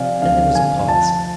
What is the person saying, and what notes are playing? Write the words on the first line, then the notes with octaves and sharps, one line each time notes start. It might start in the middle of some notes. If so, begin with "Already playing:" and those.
Then there was a pause.
Already playing: C3 F3 D5 F5 G#5
D2 F5
D2 G#5
F3 A5